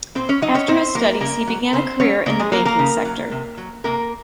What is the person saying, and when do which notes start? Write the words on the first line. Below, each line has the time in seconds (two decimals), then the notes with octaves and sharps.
After his studies he began a career in the banking sector.
0.15 A#2 C4 C5
0.29 C#4 C#5
0.42 F#3 D#4 D#5
0.55 C#4 C#5
0.68 A#2 C4 C5
0.95 F#3 A#3 A#4
1.20 C#3 A#3 A#4
1.47 F#3
1.73 C#3 C4 C5
2.00 F#3 C#4 C#5
2.26 C#3 A#3 A#4
2.39 G#3 G#4
2.52 F#3 A#3 A#4
2.65 A#3 A#4
2.79 C#3
3.05 F#3
3.31 C3
3.57 F#3
3.84 C3 A#3 A#4